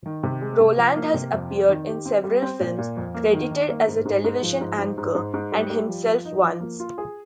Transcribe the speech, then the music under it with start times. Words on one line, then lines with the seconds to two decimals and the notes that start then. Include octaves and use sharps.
Roland has appeared in several films, credited as a television anchor and himself once.
0.06 D#3
0.23 C3
0.41 G#3
0.60 C3
0.78 F3
0.96 A#3
1.14 C3
1.33 F2
1.51 C4
1.69 D#3
1.88 G4
2.06 C4
2.24 G3
2.42 C4
2.60 A#2
2.78 A#2
2.97 F2
3.14 A#3
3.33 D#3
3.51 D#3
3.69 A#3
3.88 G#2
4.05 G#2
4.24 G#2
4.43 F3
4.61 G#2
4.79 G#2
4.98 G#2
5.15 G#2
5.34 G#2
5.52 G3
5.70 G3
5.88 F3
6.06 F3
6.25 D#4
6.43 F3
6.61 A#3
6.80 F4
6.98 G#4